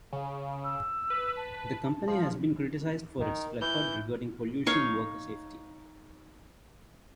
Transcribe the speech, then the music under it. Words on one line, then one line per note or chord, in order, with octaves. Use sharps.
The company has been criticized for its record regarding pollution and worker safety.
C#3
E6
B4
A5
F3
D#3
E3 G6
D#4 C#5 F5